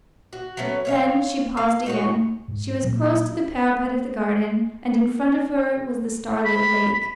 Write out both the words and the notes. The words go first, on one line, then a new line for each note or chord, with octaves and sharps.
Then she paused again; she was close to the parapet of the garden, and in front of her was the starlit lake.
F#4
F#3 A3 B3 C#4
C#5 E5 F5
F5
D#4 F#4 C#5
G#2
A#2 F3 F#3 A#3
B5